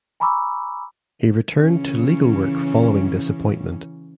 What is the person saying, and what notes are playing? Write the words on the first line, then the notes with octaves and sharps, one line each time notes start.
He returned to legal work following this appointment.
G#5 A#5 B5 C#6 D6 E6
C#3 E3 C#4